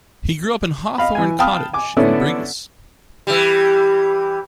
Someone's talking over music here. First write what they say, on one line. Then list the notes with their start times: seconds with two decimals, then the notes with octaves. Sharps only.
He grew up in Hawthorne Cottage in Brigus.
0.98 D#5 F5 B5
1.15 E3 G#5
1.39 F5 G5 A5 B5 D#6 F6
1.73 G#5 D6
1.97 D3 B3 C#4 E4 A4 D5
3.27 E3 G3